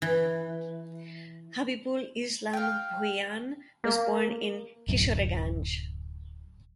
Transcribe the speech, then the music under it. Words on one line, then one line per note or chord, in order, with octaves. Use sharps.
Habibul Islam Bhuiyan was born in Kishoreganj.
E3
F5 G5
A#3
D1 F#2